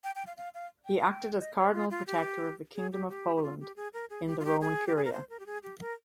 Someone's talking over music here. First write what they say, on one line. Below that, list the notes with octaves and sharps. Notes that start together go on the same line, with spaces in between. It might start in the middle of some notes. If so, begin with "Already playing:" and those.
He acted as Cardinal Protector of the Kingdom of Poland in the Roman Curia.
G5
G5
F5
F5
F5
G5
F5
G5
D#5
C#5
F4
F4
G4
G#4
G4
G4
G4
F4
G4
G#4
A#4
G#4
G4
F4
G4
G#4
G4
G#4
A#4
C5
A#4
G4
G#4
G4
A#4